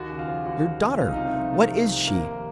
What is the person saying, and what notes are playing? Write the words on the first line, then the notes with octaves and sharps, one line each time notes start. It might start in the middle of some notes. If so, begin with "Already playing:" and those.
Your daughter--what is she?
Already playing: D#2 F#4
C#3
F4
F3
D#2 F#4
D#2
C#3
C2 F4
D#4
C3 F4
A3
F3
C2 A3
C2
C3
F1 A#3
D#2